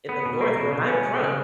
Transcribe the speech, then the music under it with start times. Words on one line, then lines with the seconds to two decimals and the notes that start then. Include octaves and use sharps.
in the North where I'm from.
0.09 B3
0.25 B2
0.41 A#3
0.57 B2
0.72 B2
0.89 C#4
1.04 G#3
1.20 C#3